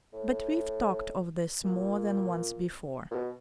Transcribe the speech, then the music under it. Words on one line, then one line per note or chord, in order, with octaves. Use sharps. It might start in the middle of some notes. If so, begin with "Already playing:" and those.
But we've talked of this more than once before.
A2
A#2
A#2
B2